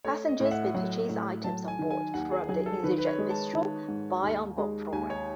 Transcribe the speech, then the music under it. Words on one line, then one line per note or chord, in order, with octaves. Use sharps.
Passengers may purchase items on board from the "easyJet Bistro" buy on board programme.
A3 C#5
D#5
A2
E5
F#5
F#3 F#5
A2
F#3 A5
G#5
D#3
G#5
D#2 F#5
G#4
F#3 G#4
A4
D#3 B4
B4
C#5
G#3
A5
D#3 A5
G#2
D#2
G#3
D#2 G#5
C#5